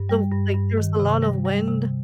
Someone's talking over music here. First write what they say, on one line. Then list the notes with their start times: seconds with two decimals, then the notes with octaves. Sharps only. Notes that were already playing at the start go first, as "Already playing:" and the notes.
so, like, there was a lot of wind.
Already playing: G2
0.09 G3
0.32 G2
0.54 G2
0.78 D#3
1.00 C3
1.22 G3
1.45 G3
1.68 C3